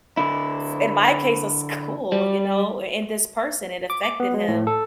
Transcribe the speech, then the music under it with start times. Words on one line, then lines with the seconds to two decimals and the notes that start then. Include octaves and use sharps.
f in my case, a school, you know, and this person, it affected him,
0.17 D3 E4
2.12 G3
3.90 D6
4.03 D6
4.20 B3
4.34 G#3
4.48 A2
4.67 A4